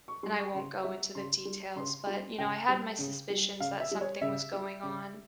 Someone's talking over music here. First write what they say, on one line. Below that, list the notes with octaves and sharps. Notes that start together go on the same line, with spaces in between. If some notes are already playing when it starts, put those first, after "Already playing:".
and I won't go into the details, but, you know, I had my suspicions that something was going on,
C#6
G3 C6
C#6
C#3 C6
G3 E5
C#3 C6
G3
C#3 C6
G3
C#3 G5
G3
C#3
G3
C#3 F5
E5
G3
C#5
C#3 E5
G3
C#3